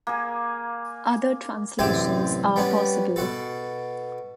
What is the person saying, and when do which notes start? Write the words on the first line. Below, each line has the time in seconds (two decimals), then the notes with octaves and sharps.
Other translations are possible.
0.07 A#3 G#4
1.79 A1 F#2 C3 G4 D5 G#5
2.56 G3 B3 C#4 D4
3.16 B2 F#4 A4